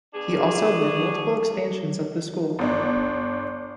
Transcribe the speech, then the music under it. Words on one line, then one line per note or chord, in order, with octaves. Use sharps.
He also led multiple expansions of the school.
B2 D4 G#4
G1 D4